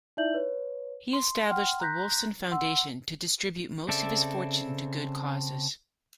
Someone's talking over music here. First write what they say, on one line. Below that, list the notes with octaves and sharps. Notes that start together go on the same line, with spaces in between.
He established the Wolfson Foundation to distribute most of his fortune to good causes.
D#4 E4 D5 E5 G6 F#7
B4 C#5
C6
F#5 G5 C6 F6
A#5 C6 F#6 G6 A#6 B6
F#5 C6 E6
C#3 C4 A4 D5 E5